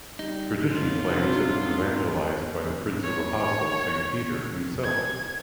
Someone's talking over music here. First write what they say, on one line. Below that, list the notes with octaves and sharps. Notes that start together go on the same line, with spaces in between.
Tradition claims it was evangelized by the Prince of Apostles Saint Peter himself.
G3 D#4
F#3 F4
G2 C3 F#4
C#5
G#6